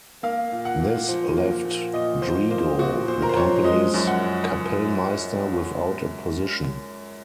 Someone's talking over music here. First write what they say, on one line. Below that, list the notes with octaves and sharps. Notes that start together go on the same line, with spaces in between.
This left Drigo, the company's kapellmeister, without a position.
A#3 F5
A#2
F#5
A#2
F3 C5
A#3
A#2
A#2 D#5
F3 C5
A#3 C5
A#2 F#4
A#2 C5
A#4
C5
F3 C#5
G#3 D#5
F#2
F#5